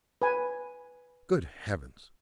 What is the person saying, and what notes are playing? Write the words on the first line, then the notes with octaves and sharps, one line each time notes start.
Good heavens!
B4 G#5